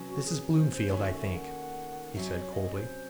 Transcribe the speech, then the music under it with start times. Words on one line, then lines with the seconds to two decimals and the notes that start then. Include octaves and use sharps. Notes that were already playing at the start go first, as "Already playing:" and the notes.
'This is Bloomfield, I think,' he said coldly.
Already playing: E2 C3 F#3 C#4
0.09 F#4
0.25 G#4
0.57 C5
0.73 C5
0.88 D#2 D#3 A3 C#4 F#4 C#5
1.04 E5
1.20 E5
1.36 F#5
2.15 C3 F#3 C#4 E5
2.28 D#5
2.41 C#5
2.53 D#5
2.79 C5